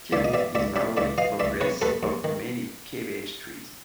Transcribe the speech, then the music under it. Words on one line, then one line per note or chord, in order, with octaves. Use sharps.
Tirau is Maori for place of many cabbage trees.
C#2 D5 E5
D#5
E3 D5 E5
C#2 D5 E5
C3 D5 E5
C#2 D5 E5
E3 D#5 F5
C#2 D5 E5
C3 B4 C#5
D#2 A4 B4
D#2
D#3